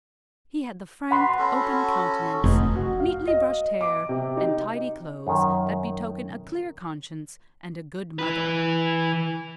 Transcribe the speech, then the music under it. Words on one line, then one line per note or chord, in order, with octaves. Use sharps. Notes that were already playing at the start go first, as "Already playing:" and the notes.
He had the frank open countenance, neatly brushed hair and tidy clothes that betoken a clear conscience and a good mother.
F#4 B4 F#5 B5 C6
C#4 F#4 A4
F1 B3 D#4 G#4
F#4
F5
D#5
D6
C3
D#4
F#2 D#3
E3 B4